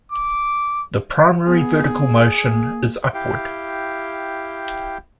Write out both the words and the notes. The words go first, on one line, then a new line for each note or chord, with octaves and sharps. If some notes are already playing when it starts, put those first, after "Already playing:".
The primary vertical motion is upward.
D6
B3 G#4
A#3
E4 G4 F5 G5